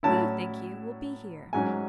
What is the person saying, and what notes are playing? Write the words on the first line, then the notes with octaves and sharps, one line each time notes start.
Who, think you, will be here?'
A2 F#3 C#4 E4 A5
G#2 F#3 C#4 G#5